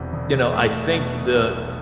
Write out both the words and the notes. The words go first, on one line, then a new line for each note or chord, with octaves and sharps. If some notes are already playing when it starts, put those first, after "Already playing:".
you know, I think the
Already playing: E1 E2 C3
E1
A3
B2
B1